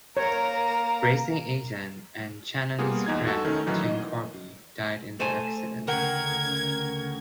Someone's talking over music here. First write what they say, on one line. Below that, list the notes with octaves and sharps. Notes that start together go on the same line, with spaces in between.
Racing Agent and Channon's friend Tim Corby died in the accident.
A#3 A#4 C#5
G3 A#3 B3 F4 G#4
E2 D#4 G#6
F#4 A4
D#3 A3 C#4 D#4
A#2 D#3 E3 F#3
D#5
A3 C5 G#5
D2 C#3 A#4 F#5 G5 G#6